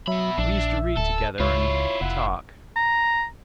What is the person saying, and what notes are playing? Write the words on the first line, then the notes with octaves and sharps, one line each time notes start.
We used to read together and... talk.
B2 F#3 E5 B5
A#1 D4
D1 A4
C#2 E4 F4 C#5
F1 F#5
A#5